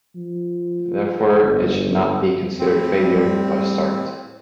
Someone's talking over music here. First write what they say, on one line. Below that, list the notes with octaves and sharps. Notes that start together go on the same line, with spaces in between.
Therefore, it should not be considered a failure, but a start.
F3
G1
A2 C4
G3